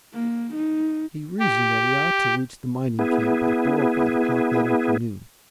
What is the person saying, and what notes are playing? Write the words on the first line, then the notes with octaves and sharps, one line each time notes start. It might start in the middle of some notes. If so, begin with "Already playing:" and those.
He reasoned that he ought to reach the mining camp by four or five o'clock that afternoon.
A#3
D#4
G4
B3 E4 G#4